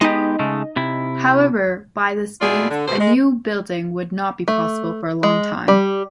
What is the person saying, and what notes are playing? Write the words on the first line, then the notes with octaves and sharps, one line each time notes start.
However, by this means, a new building would not be possible for a long time.
G#3 B3 D#4 G4 D#5
C#3 G#3 A3
C3 E4
E2 B2 E4 F4 G#4 D5
D3
D2 B2 C5
G#3
A3
G#3
G3